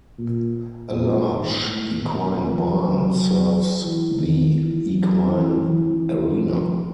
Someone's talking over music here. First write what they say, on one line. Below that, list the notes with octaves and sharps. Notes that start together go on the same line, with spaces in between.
A large equine barn serves the Equine Arena.
A#2
A#2
G#2
A2
B2
F3
F#3
E3
D#3
E3
F#3
E3
E3
E3
F3